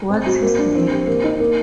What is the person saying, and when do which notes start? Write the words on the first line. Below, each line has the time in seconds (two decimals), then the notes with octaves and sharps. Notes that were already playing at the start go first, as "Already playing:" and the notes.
What's his name?
0.10 C4
0.26 F#4
0.42 A#3
0.59 D4
0.75 C4
0.91 G4
1.07 A#3
1.24 D#4
1.40 A#3